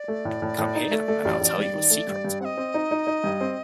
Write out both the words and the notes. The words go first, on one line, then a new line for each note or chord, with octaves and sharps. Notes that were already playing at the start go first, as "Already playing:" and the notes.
Come here and I'll tell you a secret.
Already playing: D5
A3
A2
A2
A2
D#4
A3
A3
A1
A1
G2
D#3
A3
G2
G2
C4 D#5 F#5
C4
D#4
D#4
D#4
G2
C4